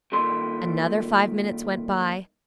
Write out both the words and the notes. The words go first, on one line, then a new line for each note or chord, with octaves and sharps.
Another five minutes went by.
G2 A#2 D#3 E4 A4 C6